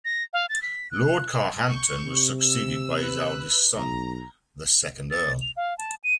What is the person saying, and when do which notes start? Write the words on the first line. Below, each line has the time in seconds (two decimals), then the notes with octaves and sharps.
Lord Carhampton was succeeded by his eldest son, the second Earl.
0.05 A#6
0.33 F5
0.49 A6
0.62 B6
0.91 F#6
1.69 C#6 G6
2.05 C3
2.41 E6
2.96 B4 E6 F#6
3.76 B1 A#5
5.11 A6
5.42 F7
5.57 F5
5.78 A5
6.04 D#7